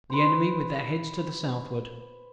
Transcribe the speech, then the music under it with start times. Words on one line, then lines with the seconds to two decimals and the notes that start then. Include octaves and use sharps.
The Enemy with their heads to the southward.
0.10 B4 C5